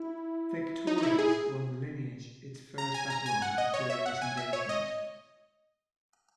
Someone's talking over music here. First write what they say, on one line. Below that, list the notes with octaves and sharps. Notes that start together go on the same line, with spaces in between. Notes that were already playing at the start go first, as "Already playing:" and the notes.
"Victorious" won the lineage its first battle honour during this engagement.
Already playing: E4
D#4
D#4
E4
G#4
A#5
G#5
A#5
G#5
F#5
D#5
C#5
E5
F#5
G#5
E5
C#5
D#5